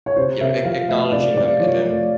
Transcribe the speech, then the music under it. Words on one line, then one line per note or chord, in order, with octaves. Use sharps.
you know, ac acknowledging them and then
C#5
C3 C5
C3 E5
F3 F5
A3 E5
C3 D5
C3 D5
F3 C#5
A3